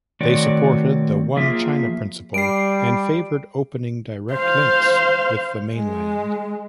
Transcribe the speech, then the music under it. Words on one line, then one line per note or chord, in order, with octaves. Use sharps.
They supported the One-China Principle and favored opening direct links with the mainland.
D#3 A3 C4 F#4 C#5 D5
F3 A#3 F4 G#4 E5
G3 C7 D7
C5 F5
G#3